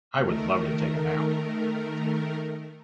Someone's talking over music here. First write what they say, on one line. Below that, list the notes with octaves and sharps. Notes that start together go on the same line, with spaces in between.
I would love to take a nap.
D#3 A3 A#4